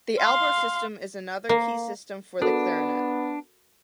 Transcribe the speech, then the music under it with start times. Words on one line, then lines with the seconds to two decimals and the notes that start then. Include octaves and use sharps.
The Albert system is another key system for the clarinet.
0.19 F5 C6
1.49 A#3
2.42 B3 D4 F#4 A4 A#4